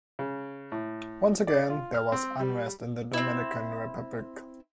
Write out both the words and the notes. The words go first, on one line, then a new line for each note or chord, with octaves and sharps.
Once again there was unrest in the Dominican Republic.
C#3
A2
D5
F4
F6
C4
G3
C4 E4